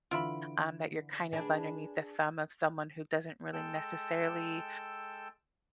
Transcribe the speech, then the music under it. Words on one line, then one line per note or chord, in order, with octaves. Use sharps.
um, that you're kind of underneath the thumb of someone who doesn't really, necessarily,
D3 E3 F4 E5 B5 D7
D4 G#4 B4
G#3 A4 G5 E6